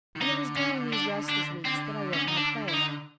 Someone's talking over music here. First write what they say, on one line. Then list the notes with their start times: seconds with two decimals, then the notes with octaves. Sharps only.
And it was during these restless weeks that I wrote my play.
0.16 D#3
0.21 D3 D#4
0.57 C#4
0.93 D4
1.29 D4
1.65 D3 C4
2.13 C#4
2.28 D#4
2.37 D4
2.69 E4
2.73 D#4